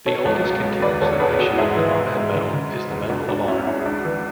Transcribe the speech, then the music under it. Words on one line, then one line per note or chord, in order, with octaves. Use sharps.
The oldest continuously issued combat medal is the Medal of Honor.
B2 A4 C#5
C#2
F#3
C#2
E2 B4 D5
E2 A4 C#5
E2 G#4 B4
E2 F#4 A4
G#2 E4 G#4
E3
E3
G#2
C#3
C#3
F#3
E2
C#2 D4 F#4
C#2 D4 F#4
F#3 C#4 E4
C#2 C#4 E4
G#4
C#2 D4 F#4
E3